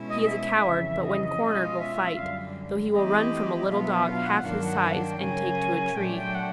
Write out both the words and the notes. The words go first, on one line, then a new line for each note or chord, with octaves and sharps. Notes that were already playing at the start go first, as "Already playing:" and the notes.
He is a coward, but when cornered will fight, though he will run from a little Dog half his size and take to a tree.
Already playing: B2 G#3 C#4 E4
D#5
D#5
E5
F2 C#3 E3
D#5
B2 G#3 C#4 F4
E5
F#2 D3 G3 F5
E3 A3 C4 E4 G4 D#5
B2 F#3 B3 D4 F4 E5
E5
E5
F5
F#5
G2 D#3 F#3 A#3 D4 F5
F#5
F#5
G5
C#3 F#3 A#3 C#4 G#5
A#2 F#3 A3 D4 G5
G5
F#5